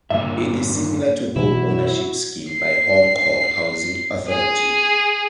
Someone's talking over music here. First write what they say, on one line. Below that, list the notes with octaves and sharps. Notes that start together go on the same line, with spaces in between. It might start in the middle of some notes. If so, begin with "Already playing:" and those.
It is similar to Home Ownership Scheme by Hong Kong Housing Authority.
G2 A#2 D3 A#3 E5
B2 E3 F#3 E4 F#4
C7
G#4